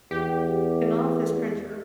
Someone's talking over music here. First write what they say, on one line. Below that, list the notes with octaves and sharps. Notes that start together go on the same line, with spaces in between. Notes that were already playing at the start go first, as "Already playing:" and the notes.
an office printer.
E2 G4